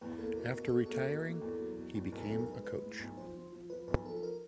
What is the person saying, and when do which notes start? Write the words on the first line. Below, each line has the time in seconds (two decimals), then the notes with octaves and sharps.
After retiring, he became a coach.
0.01 E2 B4
0.18 A#3 A4
0.36 B2 A#4
0.54 B2 A#4
0.64 A4
0.72 B2
0.86 A#3 A4
1.07 B2
1.24 A#3
1.42 E2
1.59 F#3
1.77 B2
1.95 E2
2.12 B1 A#4
2.25 A4
2.29 B1
2.39 A#4
2.47 G#3 B4
2.65 G#3 B4
2.82 A2
2.99 B1
3.17 F3 C5
3.35 F3
3.52 F3
3.70 F3 B4
3.88 B1 B4
4.05 F3 A4
4.16 A4
4.23 A#4